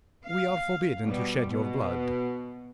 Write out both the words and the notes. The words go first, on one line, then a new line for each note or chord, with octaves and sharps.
"We are forbidden to shed your blood."
F5
B2 G3
B2